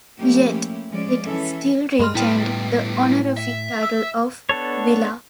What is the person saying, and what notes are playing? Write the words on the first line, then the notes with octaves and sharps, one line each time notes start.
Yet, it still retained the honorific title of "vila".
F3 A3 A#3 C#4 E4 G4
F3 G#3 C#4 D5
E3 C#4 A4 E5
G2 G#3 B5 C6 F6
A2 G3 B3 E4 G5
E5
E6
B3 D4 A4 C#5